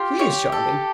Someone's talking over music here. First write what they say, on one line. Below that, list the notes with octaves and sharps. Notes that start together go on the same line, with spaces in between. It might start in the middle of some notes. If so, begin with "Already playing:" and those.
She is charming.
Already playing: F4 G4
C#5
A4